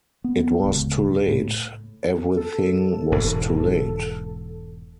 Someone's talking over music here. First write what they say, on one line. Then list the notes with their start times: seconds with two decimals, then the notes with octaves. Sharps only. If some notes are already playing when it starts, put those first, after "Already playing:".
It was too late — everything was too late.
0.24 B3
0.63 D1 C#2
1.28 A2
2.36 A4
3.12 E1 G#2